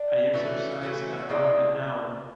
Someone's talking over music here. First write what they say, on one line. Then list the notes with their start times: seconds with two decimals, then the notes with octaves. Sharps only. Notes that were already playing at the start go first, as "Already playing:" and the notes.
I exercised around an hour.
Already playing: D4
0.34 E3 A3 C#4 F#4
0.81 E3 A3 C#4 F#4
1.29 C#3 E3 G#3 D4